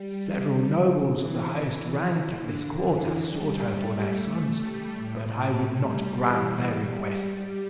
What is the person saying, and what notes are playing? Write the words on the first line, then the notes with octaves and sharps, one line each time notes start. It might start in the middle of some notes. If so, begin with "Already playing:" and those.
Several nobles of the highest rank at this court have sought her for their sons, but I would not grant their request.
Already playing: G3
E3
D3
E3
G3
A3
A3
G3
A2
A3
G3
E3
G3
G3